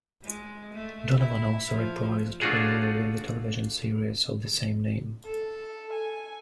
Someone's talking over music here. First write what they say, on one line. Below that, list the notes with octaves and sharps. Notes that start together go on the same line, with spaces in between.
Donovan also reprised her role in the television series of the same name.
G#3
A3
E4
F3
A3 D4 F4 F#4 G#4
A4
G#5